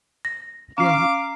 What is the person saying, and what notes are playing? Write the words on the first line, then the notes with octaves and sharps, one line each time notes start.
Yeah, he
A#6
C#4 F5 A#5 D6 C7